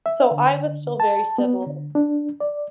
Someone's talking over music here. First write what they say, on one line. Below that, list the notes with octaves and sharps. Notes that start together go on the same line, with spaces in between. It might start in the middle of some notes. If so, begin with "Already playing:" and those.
So, I was still very civil.
E5
D3
A5
B3
D3
D4
D5